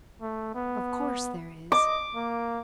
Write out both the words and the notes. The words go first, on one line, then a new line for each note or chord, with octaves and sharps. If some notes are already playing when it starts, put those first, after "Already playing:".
Of course there is.
A3
B3
D#5 D6
A#3